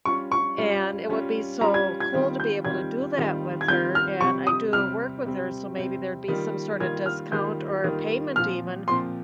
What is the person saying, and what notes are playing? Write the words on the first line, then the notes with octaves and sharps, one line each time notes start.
and it would be so cool to be able to do that with her, and I do work with her, so maybe there'd be some sorta discount or payment even
G3 C#4 F4 C#6
C#6
G3 C#4 F4
G3 C#4 F4
G3 C#4 F4 A#5
G#6
G#6
D#3 G3 C4 F4
G6
D#3 G3 C4 F4 G#6
D#3 G3 C4 F4
G#6
D#3 G3 C4 F4 G6
F6
C3 G3 C4 C#6
D#6
C3 G3 C4 F6
C3 G3 C4
C3 G3 C4
D#3 G3 A#3 F4
D#3 G3 A#3 F4 G#6
F6
D#3 G3 A#3 F4 G6
D#3 G3 A#3 F4
A#2 F3 C4 F4 F6
A#2 F3 C4 F4 C6